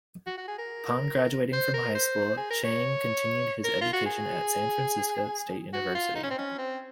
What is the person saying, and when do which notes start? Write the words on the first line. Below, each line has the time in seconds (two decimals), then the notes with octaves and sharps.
Upon graduating from high school, Chang continued his education at San Francisco State University.
0.27 F#4
0.37 F#4
0.48 G#4
0.58 A#4
1.53 C5
1.73 A#4
1.95 C5
2.37 G#4
2.50 A#4
2.64 C#5
3.64 A#4
3.81 F4
3.93 F#4
4.06 G#4
5.73 F#4
5.94 F4
6.15 D#4
6.23 C#4
6.30 C4
6.38 C#4
6.58 C4